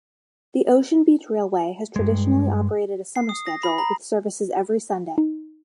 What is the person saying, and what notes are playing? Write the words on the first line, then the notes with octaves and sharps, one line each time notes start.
The Ocean Beach Railway has traditionally operated a summer schedule with services every Sunday.
G2 G#3
C7
D#6
A#6
B5
A#5
D#4